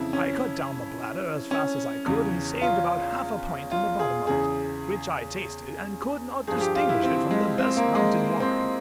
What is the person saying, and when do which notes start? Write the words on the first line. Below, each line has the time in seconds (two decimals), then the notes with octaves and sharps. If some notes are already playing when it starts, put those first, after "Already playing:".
I cut down the bladder as fast as I could, and saved about half a pint in the bottom of it, which I tasted, and could not distinguish it from the best mountain wine.
Already playing: F2 C#3 E3 E4
0.13 C#4
1.51 C#4
2.06 E2 C#3 E3
2.61 F4
3.72 F4
3.99 G#4
4.27 E2 C#3 E3 G#4
6.47 G2 F3 G#4
6.61 G4
6.76 F4
6.89 E4
7.03 C4
7.31 G#3
7.58 C4
7.77 A#3
7.95 G#3
8.40 C4